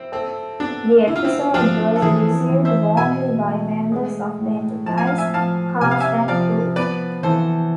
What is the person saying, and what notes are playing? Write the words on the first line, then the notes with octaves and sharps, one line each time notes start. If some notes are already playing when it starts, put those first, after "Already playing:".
The episode was received warmly by members of the "Enterprise" cast and crew.
Already playing: C4 E4
C4 A4
B3 D4
D3 E4
F4
C4 E4
F3 D4 F4
A4
E3 E4 G#4
E3
C5 E5
B2 E5 G#5
A3
G#3
A2
F3 A5
G#5
F5
E5 G#5
F3 F5 A5
C3 G#5
F5
E5 G#5
F3 D5 F5
B3 B4 D5
E3 A4 C5